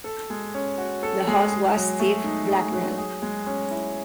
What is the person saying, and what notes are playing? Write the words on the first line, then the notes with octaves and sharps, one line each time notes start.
The host was Steve Blacknell.
A4
G#3
C#4
F#4
A4
G#3
G#4
F#3
A3
D#4
G#4
F#3
G#4
G#3
C#4
E4